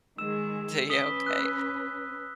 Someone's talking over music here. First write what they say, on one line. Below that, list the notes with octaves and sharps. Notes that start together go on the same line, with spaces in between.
Tuh yeah, okay.
D#3 G#3 G#4 E6 E7
C#4 B4 D#6 B6 G7
E6 F#6